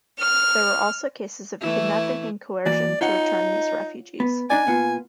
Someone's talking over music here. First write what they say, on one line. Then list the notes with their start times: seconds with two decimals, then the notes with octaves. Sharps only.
There were also cases of kidnapping and coercion to return these refugees.
0.21 F6
1.60 E3 A3 E4
2.66 E3 A#3 F#4 D5
3.01 D#4 F4 C#5 F#5
4.20 B3
4.50 D4 D#4 D5 G#5
4.67 A#2 B3 F4